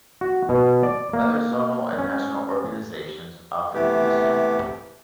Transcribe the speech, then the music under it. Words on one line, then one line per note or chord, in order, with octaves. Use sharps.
Other zonal and national organizations often do the same.
F#4
B2
D5
A#3
C#4
C3 E3 A3 B3 G4